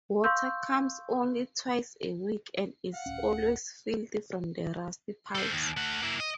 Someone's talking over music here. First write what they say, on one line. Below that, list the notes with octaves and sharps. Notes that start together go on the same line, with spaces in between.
Water comes only twice a week and is always filthy from the rusty pipes.
F5 C6 C#6 E6 G6
F5 F#5
D1 C#4
A4 C5
D#2
A3 F#5
A#3 E4
D#5